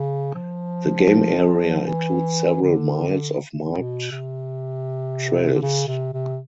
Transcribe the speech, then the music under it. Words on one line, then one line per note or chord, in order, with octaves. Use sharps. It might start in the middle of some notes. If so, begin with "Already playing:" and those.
The game area includes several miles of marked trails.
Already playing: C#3
F3
E3
D3
B2
C3
D3
C#3
C3
C3